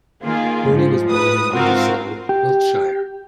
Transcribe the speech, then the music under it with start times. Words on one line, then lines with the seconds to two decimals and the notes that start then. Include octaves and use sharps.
Brodie was born in Winterslow, Wiltshire.
0.24 D#3 A#3 F4 G#4
0.69 G#2 F3
1.09 A2 B4 D#6
1.52 G#2 C4 F4 F#4 A#4 F5
2.29 G4